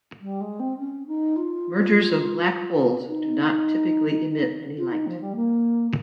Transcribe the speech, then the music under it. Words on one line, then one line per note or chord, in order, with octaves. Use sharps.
Mergers of black holes do not typically emit any light.
G3
G#3
C4
C#4
D#4
F4
D#4
F4
D#4
F3
G3
A#3